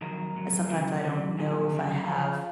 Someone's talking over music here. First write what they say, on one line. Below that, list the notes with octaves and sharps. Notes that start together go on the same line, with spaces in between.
sometimes I don't know if I have
F2 D#3 F#3 A#4
G#2 F#3
C#2 C#3 F#3
D#2 C#3 F#3
B1 A#2 F3 G#4
F#2 C#3 F3
F2 F3 F4